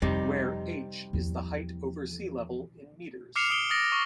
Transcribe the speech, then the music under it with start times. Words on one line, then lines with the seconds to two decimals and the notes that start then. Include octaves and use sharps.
Where "h" is the height over sea level in meters.
0.02 F2 C3 G3 D#4
1.13 E2 F3
3.36 D6 F6 C7 C#7 E7 F7
3.50 D#6 D7 G7
3.70 D#6 A6 A#6 D7
3.92 C#6